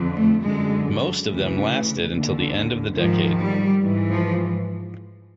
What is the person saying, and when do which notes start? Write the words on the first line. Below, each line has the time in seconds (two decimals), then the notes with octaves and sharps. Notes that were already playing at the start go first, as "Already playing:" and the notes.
Most of them lasted until the end of the decade.
Already playing: F2 D3
0.15 A3
0.43 F#2 D3 G#3
1.28 D2 C#3 E3
2.13 D#2 D3
2.97 G#2 D#3 F3
3.40 G3
3.82 G#2 E3
4.11 F3